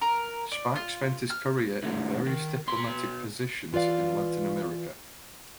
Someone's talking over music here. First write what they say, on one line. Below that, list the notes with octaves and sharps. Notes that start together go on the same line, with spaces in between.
Sparks spent his career in various diplomatic positions in Latin America.
A#4
D5
F4
F6
C2 A3
D#3
B2 C6
E3 F4 B4 D5 F5